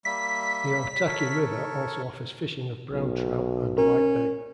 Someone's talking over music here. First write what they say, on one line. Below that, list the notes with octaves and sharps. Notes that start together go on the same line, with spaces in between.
The Otaki River also offers fishing of brown trout and white bait.
G3 A#3 E5 B6
A4 A#4 C#5
B1
C#4 A#4